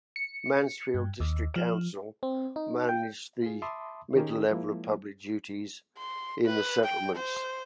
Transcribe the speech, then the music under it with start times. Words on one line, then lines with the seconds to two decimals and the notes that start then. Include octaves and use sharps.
Mansfield District Council manage the middle level of public duties in the settlements.
0.16 C#7
0.94 G2
1.20 D#2
1.56 F3
2.23 C4
2.56 D#4
2.89 G5
3.42 F4 G#4
3.62 E5 A5 B5 C6 D6 D#6
4.15 D#3 C#4 G4 G#4 A#4
4.51 F3 G#3 A#3 E4
5.98 C6
6.46 B4
6.83 G5
7.16 C5